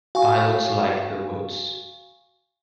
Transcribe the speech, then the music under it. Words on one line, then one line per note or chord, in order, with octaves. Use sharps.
Pilots like the woods.
F#4 F5 G#5 C#6